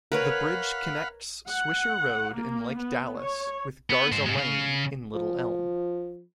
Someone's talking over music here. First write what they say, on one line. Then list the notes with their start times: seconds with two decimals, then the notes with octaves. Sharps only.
The bridge connects Swisher Road in Lake Dallas with Garza Lane in Little Elm.
0.12 A#4 B4 C#5 F5 F#5 B5
1.48 F#5
2.34 A#3
2.78 B3
3.20 C#5
3.90 B3
4.12 G#2 C5
4.26 G#2 G#3
4.37 C#3 F5
5.15 F3